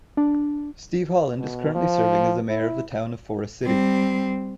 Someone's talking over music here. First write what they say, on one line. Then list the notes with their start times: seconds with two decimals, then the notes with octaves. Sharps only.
Steve Holland is currently serving as the Mayor of The Town of Forest City.
0.17 D4
1.39 B2
1.74 F3
2.49 E4
3.63 G3 C4